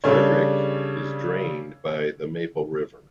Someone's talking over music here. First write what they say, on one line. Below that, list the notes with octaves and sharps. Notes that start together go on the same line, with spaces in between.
Frederick is drained by the Maple River.
C#3 G3 D4 A4 C#5